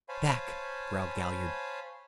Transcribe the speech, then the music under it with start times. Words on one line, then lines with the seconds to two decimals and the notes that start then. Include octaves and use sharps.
"Back!" growled Galliard.
0.09 C5 C#5 F5 G#5 A5 B5